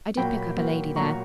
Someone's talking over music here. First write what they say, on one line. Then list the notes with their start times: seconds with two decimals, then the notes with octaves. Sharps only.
I did pick up a lady there.
0.17 A#2 F#3 A#3 G5 B5
0.56 A#2 F#3 A#3
0.96 A#2 F#3 A#3 A#5 C#6